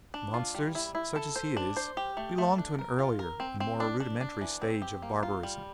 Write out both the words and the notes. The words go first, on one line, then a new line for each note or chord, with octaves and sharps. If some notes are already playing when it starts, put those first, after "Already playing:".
Monsters such as he is belong to an earlier and more rudimentary stage of barbarism.
D4
F4
G3
E4
E4
A4
C5
D4
C5
G4
A3
A3
D4
A#4
F4
A#4
C4
C4
D4
D4
D4
E3
C4
G4
A#3
F4
G3